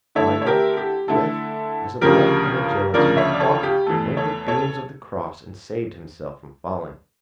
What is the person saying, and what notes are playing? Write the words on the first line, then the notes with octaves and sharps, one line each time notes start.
Michael, with as abrupt an agility, caught one of the beams of the cross and saved himself from falling.
D3 A3 E4 A4 C#5
C#5
G4 A#4
G4
D3 A3 E4 A4
D2 C#3 F3 G4 A#4
D2 C#3 F3 A#4 D5
C#5 E5
D5
A4 C#5
G4
E2 E3 A3 A4
A4 C#5
A4 C#5